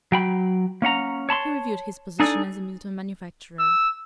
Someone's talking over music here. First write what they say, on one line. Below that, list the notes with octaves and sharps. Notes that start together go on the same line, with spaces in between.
He reviewed his position as a Milton manufacturer.
F#3 G5 B5
A#3 C#4 F#5 A#5
C#5 A5 B5 C6
D4 D#4 G#4 A4 D5
E6